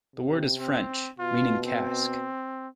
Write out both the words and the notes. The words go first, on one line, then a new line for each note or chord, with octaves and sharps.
The word is French, meaning 'cask'.
C3
C4
B2 F4
C4